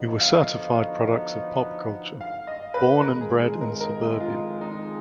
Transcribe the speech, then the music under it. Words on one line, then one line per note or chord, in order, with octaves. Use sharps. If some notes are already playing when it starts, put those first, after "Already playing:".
We were certified products of pop culture, born and bred in suburbia.
Already playing: D3 F3 B3 D#4 F#4
F5
F5
D#5
B4
F2 D#3 G#3 A#4
G#4
G#4
A#4
A#4
F4
D#4